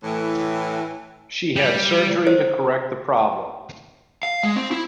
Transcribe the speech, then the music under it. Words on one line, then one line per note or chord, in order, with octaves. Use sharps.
She had surgery to correct the problem.
A2 E3
G3
C5
F5
G#3
C4
E4